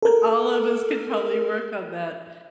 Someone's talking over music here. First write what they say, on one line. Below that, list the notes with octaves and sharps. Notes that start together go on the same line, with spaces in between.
all of us could probably work on that.
A4 A#4